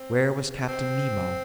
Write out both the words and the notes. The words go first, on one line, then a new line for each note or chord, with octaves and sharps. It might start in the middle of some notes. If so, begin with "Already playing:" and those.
Where was Captain Nemo?
Already playing: C4
C4